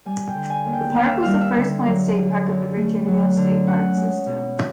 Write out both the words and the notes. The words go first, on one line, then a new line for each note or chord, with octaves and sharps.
The park was the first planned state park of the Virginia State Park system.
G3 G#5
G5
D3
G#5
D#2
G5
D#2 F5
E5
G3 F5
E5
D3
F#3
D3
F#2
A3
F#3
D3
C#4 F#5
G#3
B2